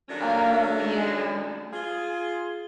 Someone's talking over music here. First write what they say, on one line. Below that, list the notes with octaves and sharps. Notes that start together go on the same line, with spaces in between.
Oh, yeah.
D#3 F#3 G3 A3 C#4 D4
F4 G#4